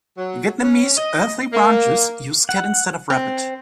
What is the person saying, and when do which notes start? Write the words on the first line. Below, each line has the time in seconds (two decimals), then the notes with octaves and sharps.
The Vietnamese Earthly Branches use cat instead of Rabbit.
0.18 F#3
0.61 C#4
0.97 D#5
1.53 A#3
2.49 F#5
3.10 C4